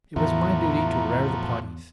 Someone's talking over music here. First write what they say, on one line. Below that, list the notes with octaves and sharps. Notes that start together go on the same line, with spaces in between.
It was my duty to "rare the poddies".
E2 A2 F3 E4 F#4 A#5